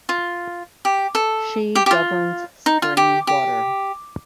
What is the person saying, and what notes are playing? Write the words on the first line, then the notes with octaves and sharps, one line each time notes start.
She governs spring water.
F4
G4
A4
G4
G4
F4
D#4
F4
G4
G4